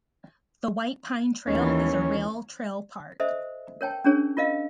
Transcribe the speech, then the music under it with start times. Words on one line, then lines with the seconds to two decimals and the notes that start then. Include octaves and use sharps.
The White Pine Trail is a rail trail park.
1.47 D#2 E3 C#4
3.20 A4 C5 D#5 E5
3.81 A#4 C#5 G5 A5
4.04 C#4 D4 G#4 A#4 C#5
4.37 F4 A#4 D#5 F5